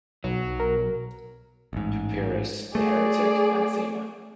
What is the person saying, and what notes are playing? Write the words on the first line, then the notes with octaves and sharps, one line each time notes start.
To Pyrrhus, the heretic, anathema!
B1 F#3
A#4
A1 G#2
A3 G#4 D5